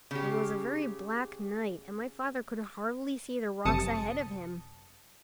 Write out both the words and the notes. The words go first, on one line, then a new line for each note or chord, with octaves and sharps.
It was a very black night and my father could hardly see the rocks ahead of him.
C#3 G4
G1 F#2 C3 A5 D#6 C#7